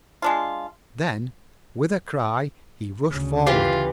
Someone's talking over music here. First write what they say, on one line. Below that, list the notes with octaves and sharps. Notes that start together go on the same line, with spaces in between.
Then, with a cry, he rushed forward.
G#3 D4 F4
D2 C#3
E3 F4 G4 C6